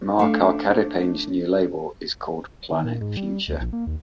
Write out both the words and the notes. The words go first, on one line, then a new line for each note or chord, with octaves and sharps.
Marc Arcadipane's new label is called "Planet Phuture".
A3 D4 F5
D#3
A#2
G#2
G3
D2
A#1
A#3
D#2